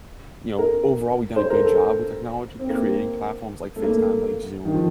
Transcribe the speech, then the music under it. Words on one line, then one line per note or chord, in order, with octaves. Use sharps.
you know, overall, we've done a good job with technology, creating platforms like FaceTime, like Zoom,
A#4
C5
A#4
A4
C4
A#3
A3
A#3
A3
D#3
F3